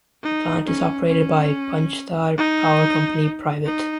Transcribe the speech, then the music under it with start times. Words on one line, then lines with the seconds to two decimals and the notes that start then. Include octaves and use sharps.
The plant is operated by Panchthar Power Company Pvt.
0.23 D#4
0.66 C#4
1.08 C#4
2.37 D#4
3.65 D#4